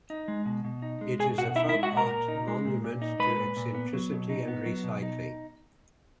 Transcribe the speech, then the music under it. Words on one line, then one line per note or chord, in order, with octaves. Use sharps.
It is a folk art monument to eccentricity and recycling.
D#4
G#3
B2
B2
D#4
G#3
B2 G#4 G#5
B2 F#4 F#5
D#4 E4 E5
E4 E5
G#3
F#4 F#5
A#2
A#4 A#5
A#2
D#4
G#3
A#2
A#2
D#4
G#3 B4 B5
A#2
A#2
B3
F#3
B2
D#4
B3
F#3
B2
D#4